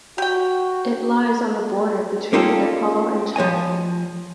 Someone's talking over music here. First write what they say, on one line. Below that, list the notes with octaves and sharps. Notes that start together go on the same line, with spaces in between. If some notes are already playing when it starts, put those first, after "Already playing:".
It lies on the border between Nepal and China.
F#4 G4 G5
A#3 C#4 D#4 F4 G4 A4
F3 C#5 D#5 G#5